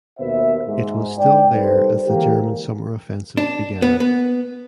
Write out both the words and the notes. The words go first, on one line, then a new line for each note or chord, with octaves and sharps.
It was still there as the German summer offensive began.
D#2 B2 B4 C5 E5
G#2
G#2 D5 G5
C2 G3 D#4 A4 B4 C5
D3 E3 G#3 A#3 G4 A#4
D4
B3
B3